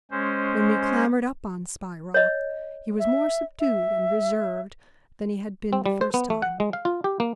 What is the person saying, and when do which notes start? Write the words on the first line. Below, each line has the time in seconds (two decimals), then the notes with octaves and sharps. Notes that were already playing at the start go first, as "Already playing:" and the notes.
When we clambered up on Spy Rock, he was more subdued and reserved than he had been the first time.
0.11 G#3 C#4 C5
2.14 C#5 D#5
2.99 E5
3.60 E5
5.73 C4
5.86 G3
6.01 C5
6.14 B3
6.30 A3
6.42 F#5
6.60 G#3
6.73 F5
6.85 F4
7.04 G4
7.20 A#3